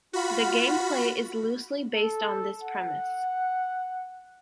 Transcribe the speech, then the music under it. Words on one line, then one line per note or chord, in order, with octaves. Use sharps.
The gameplay is loosely based on this premise.
F4 F#4 B5
A4
F#5